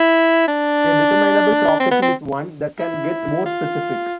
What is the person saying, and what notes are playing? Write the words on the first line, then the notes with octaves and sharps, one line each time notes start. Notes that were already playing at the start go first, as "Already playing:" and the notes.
A determinable property is one that can get more specific.
Already playing: E4
D4
C4
B3
C4
E4
F4